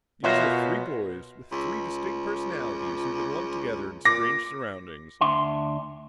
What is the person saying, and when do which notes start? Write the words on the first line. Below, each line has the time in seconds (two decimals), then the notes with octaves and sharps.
These are three boys, with three distinct personalities who've been lumped together in strange surroundings.
0.24 B2 F4 F#4 A#4 C5 C#5 E5
1.52 C#2
4.05 A#2 D6 A#6
5.21 D2 D4 E5 C6